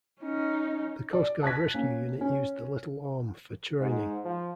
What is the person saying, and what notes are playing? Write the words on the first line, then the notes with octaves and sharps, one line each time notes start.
The Coast Guard Rescue Unit use the Little Orme for training.
C#4 D#4
D5
A5 F#6 G#6 B6
A#3 C#4
C#4
G#2
F3